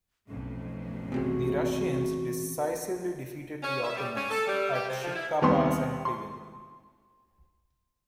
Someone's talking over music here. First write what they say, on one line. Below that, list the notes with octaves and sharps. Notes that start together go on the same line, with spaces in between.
The Russians decisively defeated the Ottomans at Shipka Pass and Pleven.
B1 F2 A2 C#4
E2 C3 G#3 F#4
C#4
E5
G3
C#4
A4
G3
G4
C3
F3
E4
D#2 D#3 B3 C4 C6
C6